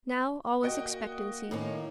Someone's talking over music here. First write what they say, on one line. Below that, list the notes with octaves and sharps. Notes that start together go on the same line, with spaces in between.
Now all was expectancy.
A#3 F#4 D#5 G5
A2 D#3 A#3 C#4